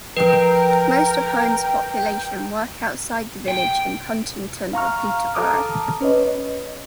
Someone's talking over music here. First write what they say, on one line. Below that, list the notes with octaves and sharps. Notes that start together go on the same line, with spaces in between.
Most of Holme's population work outside the village in Huntingdon or Peterborough.
F3 A#4 B4 G5
G5
F5 A#5 C#6 F6
A4 A5 A#5 D6 D#6 F6
C#4 B4 C#5 D#5